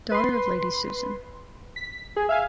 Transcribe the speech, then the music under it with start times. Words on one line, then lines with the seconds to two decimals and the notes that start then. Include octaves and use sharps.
Daughter of Lady Susan.
0.12 B4 C6
1.76 B6
2.16 G#4
2.29 E5 F5 G#5